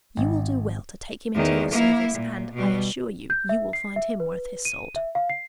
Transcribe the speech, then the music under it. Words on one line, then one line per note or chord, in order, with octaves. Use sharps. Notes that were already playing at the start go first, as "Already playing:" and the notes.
You will do well to take him into your service, and, I assure you, you will find him worth his salt.'
G#1
E2 D#3
A#3 E4
A#2
B2 G3
G6
E5
C7
E5
B4
D#7
E5
F5
C7